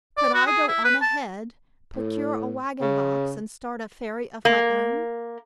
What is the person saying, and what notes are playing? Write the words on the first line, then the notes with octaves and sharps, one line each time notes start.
Could I go on ahead, procure a wagon box, and start a ferry of my own?
D5
F#4
G#4
E4
B4
A5
A2
C#3
A#3